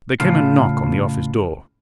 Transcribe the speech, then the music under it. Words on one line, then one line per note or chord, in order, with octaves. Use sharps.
There came a knock on the office door.
A2 C#3 F4